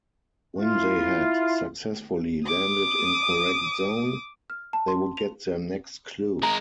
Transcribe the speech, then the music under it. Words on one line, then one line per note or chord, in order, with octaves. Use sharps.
When they had successfully landed in correct zone, they would get their next clue.
E4 F4
D6 D#6
F6
A5
C6
F7
G#3 A#4 A#5